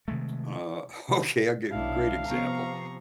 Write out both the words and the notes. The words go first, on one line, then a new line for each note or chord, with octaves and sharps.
Uh, okay, I'll give great example.
C3 D#3 G#3 A3
B1 D4 E4 F5
C3 F3 B3 A#5 C#6 C7